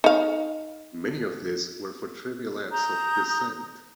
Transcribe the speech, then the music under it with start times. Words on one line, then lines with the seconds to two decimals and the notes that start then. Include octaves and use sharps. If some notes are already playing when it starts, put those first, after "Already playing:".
Many of these were for trivial acts of dissent.
0.04 D#4 F5
2.71 A#5 D#6 G6